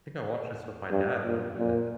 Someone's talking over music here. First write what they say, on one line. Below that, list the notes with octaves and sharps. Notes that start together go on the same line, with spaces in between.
think I watched this with my dad a little bit,
G2
A#2
A#2